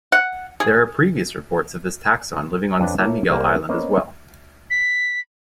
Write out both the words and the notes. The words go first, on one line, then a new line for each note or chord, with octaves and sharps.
There are previous reports of this taxon living on San Miguel island as well.
F#5
G#4
F2 D4 B4 C#5
A#3 E4 A4 C#5 A5
C2 A#3 G5
A#3 B3 C#4 C5 D#5
B6